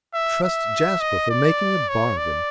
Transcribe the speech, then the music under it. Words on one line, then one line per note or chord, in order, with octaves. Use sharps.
Trust Jasper for making a bargain!
E5
E5
D#5
D5
C#5
D5